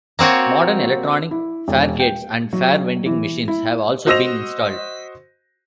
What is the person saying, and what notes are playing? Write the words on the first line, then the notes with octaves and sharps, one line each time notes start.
Modern electronic faregates and fare vending machines have also been installed.
A#3 C4 F#4 C#5
E4
E1
G5
F#3
E3
E4
F#4 C5 D#5 E6 A#6 F7